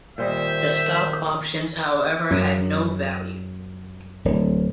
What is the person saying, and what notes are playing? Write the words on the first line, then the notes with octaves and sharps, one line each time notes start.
The stock options however had no value.
A#2 D#3 G3 C5 D#5 E5
F#2
D1